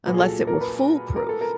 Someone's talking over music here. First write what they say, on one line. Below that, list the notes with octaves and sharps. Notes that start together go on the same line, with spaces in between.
unless it were foolproof.
A#2 F#3 B4
G#4
A4
A#4
B4
A#4
A4
A#4